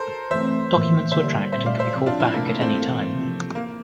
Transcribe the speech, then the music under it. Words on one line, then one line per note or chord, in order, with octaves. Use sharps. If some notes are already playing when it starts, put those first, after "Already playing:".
Documents were tracked and could be called back at any time.
Already playing: A4 A#4 C5
E3 A3 C4 C5 E5
A2 E3 A#3
D3 G3 A#3 C5 E5
A#2 A3 C4 C5 E5
D5 F5
C5 E5
C3 F3 C4
D4 F4
C4 E4
C3 E3 A3 A#3 D4
A#3
A3 C4
A2 E3 A#3
C3 F3 C4
A#3